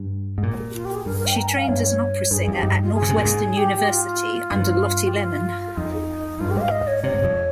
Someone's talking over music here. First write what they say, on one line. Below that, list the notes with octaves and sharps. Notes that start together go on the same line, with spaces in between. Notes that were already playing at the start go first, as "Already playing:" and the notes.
She trained as an opera singer at Northwestern University under Lotte Lehmann.
Already playing: G2
G#2
A#2
F4
G4
G#4
G2 A#4
A#4
G5
A#5
G#5
F5
G2 C#5
G2 G#4
G#4
F2
G4
G2 D#4
F4
G#4
C#3
C3
A#2
G#2
G4
G4
F4
G2
G4
F4
F2 D#4
G2 F4
G4
G#2 D#5
F5
D#5
C#5
C3 C#5
G#2
F2